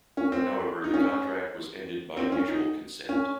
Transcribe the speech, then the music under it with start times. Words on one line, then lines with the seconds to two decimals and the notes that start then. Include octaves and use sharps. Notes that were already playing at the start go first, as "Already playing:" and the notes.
However, the contract was ended by "mutual consent".
0.17 C#4
0.32 C4
0.84 D#4
0.94 C#4
2.17 C4
2.32 C#4
2.48 D#4
3.09 C#4